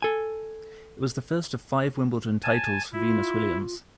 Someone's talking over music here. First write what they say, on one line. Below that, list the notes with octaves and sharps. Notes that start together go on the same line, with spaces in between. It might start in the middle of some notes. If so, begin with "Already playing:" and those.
It was the first of five Wimbledon titles for Venus Williams.
A4 G#5
G#5 A5
E4 F4